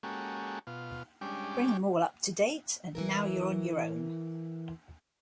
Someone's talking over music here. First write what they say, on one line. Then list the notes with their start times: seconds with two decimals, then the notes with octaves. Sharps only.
'Bring them all up-to-date, and now you're on your own.'.
0.03 G#3 A#3 C#4 F#4 G4 A4
0.67 B2 F4
1.21 G3 G#3 C#4 D4 G4
2.95 E3 E4 A#4